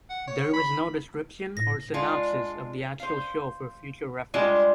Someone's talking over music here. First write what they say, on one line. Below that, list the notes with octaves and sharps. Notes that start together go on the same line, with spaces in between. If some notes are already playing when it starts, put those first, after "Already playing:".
There was no description or synopsis of the actual show for future reference.
F#5
C#5
B5
A2 A#6
G#3 D4 F4
C5 F5
G3 G#3 D4 F4 D#5